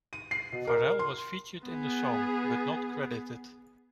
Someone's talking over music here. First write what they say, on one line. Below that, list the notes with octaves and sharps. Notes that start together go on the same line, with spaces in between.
Pharrell was featured in the song, but not credited.
D#7
C7
B2
A#4
C6
B3 G#4